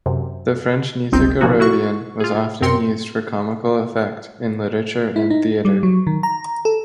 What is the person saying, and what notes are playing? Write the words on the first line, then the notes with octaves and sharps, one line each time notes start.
The French-Nizhegorodian was often used for comical effect in literature and theatre.
F#2 C3
G1 C#2 C4 D#4 G6
A#2 C#3 F3 A#3 D#4 F#4
E4 F#4 C#6
F4 G#4
F#2 C4 A#4 G5 C6 C#7
E4
D#4
G3
F#3
D#3
A#5
A4